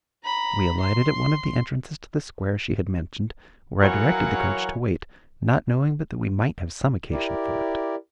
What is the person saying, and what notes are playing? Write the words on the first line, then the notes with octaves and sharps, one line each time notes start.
We alighted at one of the entrances to the Square she had mentioned, where I directed the coach to wait, not knowing but that we might have some occasion for it.
A#5 B5
C6
E3 F#3 A#4 C#5 F5 F#5
E4 G4 A#4 D5